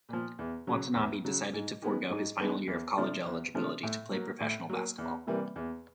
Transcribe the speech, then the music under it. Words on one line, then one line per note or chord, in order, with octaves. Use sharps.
Watanabe decided to forego his final year of college eligibility to play professional basketball.
A#2 F3
E2
C#3 F#3
E2
C#3 F#3
G#2
D#3 G#3 B3
G#2
D#3 G#3 B3
E2
C3 F3 A3 D4
E2
C3 F3 A3 D4
A2
F#3 A#3
A2
F#3 A#3
E2
C3 E3 G3 A#3
E2